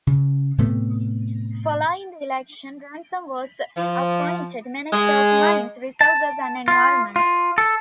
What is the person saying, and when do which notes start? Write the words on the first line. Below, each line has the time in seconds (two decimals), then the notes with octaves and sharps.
Following the election, Ransom was appointed Minister of Mines, Resources and Environment.
0.07 C#3
0.58 A2 C3 A3 B3
3.77 F3
4.93 G#3
6.01 A5
6.68 F4
7.16 F4
7.58 A4